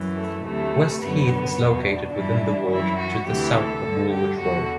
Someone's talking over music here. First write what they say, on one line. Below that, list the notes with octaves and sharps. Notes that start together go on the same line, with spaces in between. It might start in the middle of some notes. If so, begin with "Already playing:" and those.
West Heath is located within the ward to the south of Woolwich road.
Already playing: F#2 E3
A3
D2 C3 E3 A3
F#2 D3 B3
E2 B2
D4
G2 E3
F#2 E3 E4
F#4
D2 C3 E3 G4
A4
G2 D3
G4
E2 D3 F#4